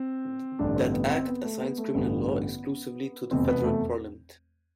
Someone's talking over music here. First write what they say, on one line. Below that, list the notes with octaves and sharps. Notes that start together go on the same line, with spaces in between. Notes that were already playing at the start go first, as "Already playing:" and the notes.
That Act assigns criminal law exclusively to the federal Parliament.
Already playing: C4
A1 G2 D3 D4
C4
B3
C4
B3
A3
B3
A3
A1 G2 D3 B3
F1 E2 B2 C4
B3
A3